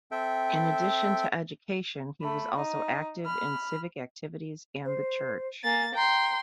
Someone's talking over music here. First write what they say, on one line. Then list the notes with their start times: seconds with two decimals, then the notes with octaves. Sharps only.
In addition to education, he was also active in civic activities and the church.
0.11 C4 A4 E5 G5
2.22 A3 B5
2.56 D#4
3.26 B5 F6
4.84 C5
5.64 A#3 G#5 A6
5.95 G5 A#5 C6